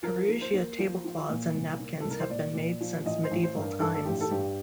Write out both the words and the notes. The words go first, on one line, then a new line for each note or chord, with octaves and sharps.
Perugia tablecloths and napkins have been made since medieval times.
F3 A#4
A#3
C5
A#3
F3
F3
A#2
C2
A#3
C2 A4
A#4
C5
A#2 D5
A#2
F3
A1 D#5
C5
A1
C5
G2
A#4
G2 A4
A4
A1 G4
A4
G2 G4